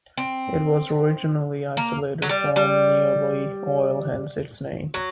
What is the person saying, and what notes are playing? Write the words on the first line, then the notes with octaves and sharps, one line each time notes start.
It was originally isolated from neroli oil, hence its name.
C4
A#3
F#3
G3
G3
F#3